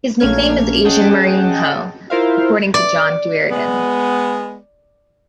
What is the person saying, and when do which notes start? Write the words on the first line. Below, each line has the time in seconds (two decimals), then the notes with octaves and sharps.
His nickname is 'Asian Mourinho' according to John Duerden.
0.20 A#1 A3 A#3 C#4 F6 G#6
0.85 C#4 G#4 D#5 F#5 G5 A5
2.10 E4 F4 A#4 C5 E5 F5
2.74 D5
3.51 G#3 B3